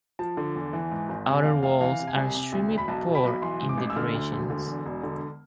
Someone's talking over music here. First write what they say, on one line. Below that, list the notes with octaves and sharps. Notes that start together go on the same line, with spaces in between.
Outer walls are extremely poor in decoration.
F3 A5
D3
E2
E3
G#2
G#1
C3 G#5
E2 F5
F1 F5
E3 F5
C3
G#5
C2
C3
D2
E1
B5
B1 A5
B2
B5
B1
E3 C6
G#2
D6
A1
E6
D3 F6
D2
E1
D3
E2
E1
D3